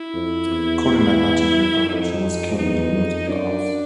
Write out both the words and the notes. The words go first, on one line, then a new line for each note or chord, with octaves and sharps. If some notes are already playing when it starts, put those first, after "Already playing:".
Caught in an artillery barrage, he was killed in the ruins of the house.
Already playing: E4
F2
E2
F2 D#4
E2 D#4
F2
F#2 D4